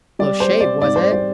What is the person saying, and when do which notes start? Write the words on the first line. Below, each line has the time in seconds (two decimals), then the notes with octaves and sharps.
"A close shave, was it?"
0.19 G3 D5
0.40 C5
0.51 G3
0.61 D5
0.82 G#2 D5
0.96 C5
1.12 G3 D5